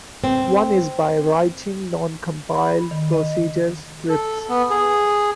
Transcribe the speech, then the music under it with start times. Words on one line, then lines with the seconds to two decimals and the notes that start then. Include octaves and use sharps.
One is by writing non-compiled procedure scripts.
0.24 C4
2.54 B5
2.91 D#3
3.13 D#5
4.09 A4
4.49 B3
4.70 G#4